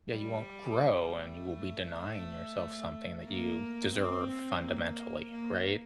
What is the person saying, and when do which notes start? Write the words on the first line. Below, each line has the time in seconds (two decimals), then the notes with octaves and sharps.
Yeah, you won't grow, and you will be denying yourself something that you deserve, fundamentally, right?
0.11 G3
1.14 A3
3.23 A#3
3.93 C4
4.62 A#3
5.31 A#3